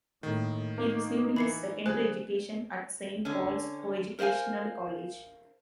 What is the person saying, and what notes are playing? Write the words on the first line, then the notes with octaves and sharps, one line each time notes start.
He received his secondary education at Saint Paul's Co-educational College.
A2 D#3 A#3
A#3 D#4
E3 B5 C7 C#7
D3 G3 G#4 C5 F#6
D3 C#4
A#4 C5 D#5 F5 G#5